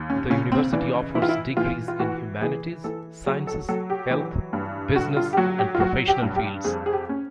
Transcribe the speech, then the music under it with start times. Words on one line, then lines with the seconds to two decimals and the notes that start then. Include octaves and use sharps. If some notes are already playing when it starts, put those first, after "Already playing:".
The university offers degrees in humanities, sciences, health, business and professional fields.
Already playing: D#2
0.10 C#4
0.30 C#3 C#4
0.52 C4
0.73 E3 D4
1.15 E3 E4
1.22 F4
1.29 E4
1.57 E3 F4
1.88 F4
1.99 E3 F#4
2.42 E3 G#4
2.84 E3 A4
3.26 F#3 G#4
3.47 A4
3.69 F#3 A4
3.90 G4
4.11 E3
4.53 G2
4.95 D3 F#4
5.17 F4
5.33 G4
5.37 F#3 F#4
5.59 G4
5.75 F4
5.80 F#3 F#4
6.08 G4
6.22 G2
6.36 G4
6.64 F2 G#4
6.86 G#4
6.93 G4
7.09 C#4